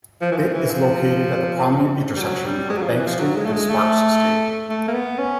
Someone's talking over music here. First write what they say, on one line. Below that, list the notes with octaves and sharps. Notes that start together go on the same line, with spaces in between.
It is located at the prominent intersection of Bank Street and Sparks Street.
F3
E3
F3
E3
F3
G3
F#3
G3
G#3
F#3
F3
E3
F3
F#3
G#3
A3
G#3
A3
A3
A#3
B3
C#4